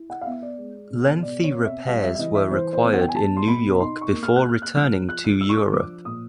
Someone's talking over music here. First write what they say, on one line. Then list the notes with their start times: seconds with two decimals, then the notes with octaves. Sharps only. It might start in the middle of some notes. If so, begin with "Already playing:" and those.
Lengthy repairs were required in New York before returning to Europe.
Already playing: E4
0.10 F#5
0.21 F5
0.26 B3 E5
0.42 D5
0.58 G#3
0.90 B2
1.23 B2 D5
1.44 C#5
1.55 C4
1.65 E5
1.87 G3 F5
2.03 E5
2.15 E5
2.19 E3 D#5
2.35 E5
2.51 E3 C5
2.73 C5
2.83 B3
2.93 F#5
3.00 G5
3.08 G#5
3.15 G3 A5
3.37 C6
3.47 B2 B5
3.80 D#4 C6
4.01 C#6
4.12 A#3
4.23 F6
4.36 F#6
4.44 A#3 F6
4.62 F#6
4.75 F3 F6
5.09 F4 F#6
5.24 F#6
5.41 D4 E6
5.49 C#6
5.57 D6
5.73 F3 D6
6.05 A#2 D#6